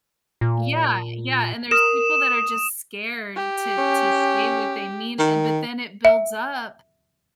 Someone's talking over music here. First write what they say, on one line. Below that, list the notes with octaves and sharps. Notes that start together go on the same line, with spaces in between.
Yeah. Yeah. And there's people that are just scared to to say what they mean, and but then it builds up
A#2
A#4 D#6 E7
G4
C#4
D#3
E5